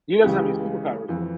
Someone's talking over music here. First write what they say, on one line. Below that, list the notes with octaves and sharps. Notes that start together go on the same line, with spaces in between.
He doesn't have any superpowers, though.
C#2 C#3 E3 G4
F2 E3